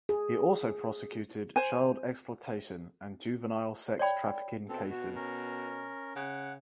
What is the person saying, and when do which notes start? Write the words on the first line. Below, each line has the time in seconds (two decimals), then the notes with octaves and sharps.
He also prosecuted child exploitation and juvenile sex trafficking cases.
0.09 G#4
1.56 C5 G#5
3.99 C#5 D5 G5 B5
4.69 B2 C4 A4
4.90 F#4
5.15 C#4 A#4
6.16 C#3 F#5